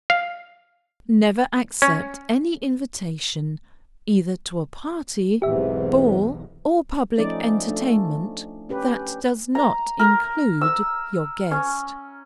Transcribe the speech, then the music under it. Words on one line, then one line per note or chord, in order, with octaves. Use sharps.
Never accept any invitation, either to a party, ball, or public entertainment, that does not include your guest.
F5
C#4
B1 E2 G#2 C3 E3 G4 E5
F3 A3 C#4 D#4 D5
A3 D4
C#4 G4 B4
A#5
A#4
E6
C#4